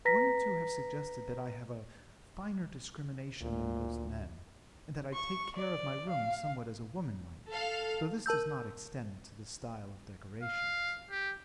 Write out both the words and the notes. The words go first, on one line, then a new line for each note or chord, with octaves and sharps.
One or two have suggested that I have a finer discrimination than most men, and that I take care of my rooms somewhat as a woman might, though this does not extend to the style of decorations.
B4 A#5 A#6 B6
D2 A#2
C#6
D5
F5
A4 F5
A#4 A5 E6 G6
F5
G4